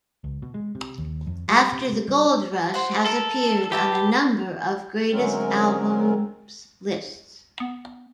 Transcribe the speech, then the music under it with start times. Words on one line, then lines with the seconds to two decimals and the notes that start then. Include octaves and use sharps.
"After the Gold Rush" has appeared on a number of greatest albums lists.
0.24 C#2
0.42 B2
0.54 G#3
0.75 C3
0.98 D#2
1.27 F2
1.48 G3
1.72 C3
1.93 C3
2.08 G3
2.74 C5 F#5
3.06 A4 A#4
3.72 G4 B4 E5 A5
5.13 D2 F#3 G#3 C4 C#4 A#4
7.60 B3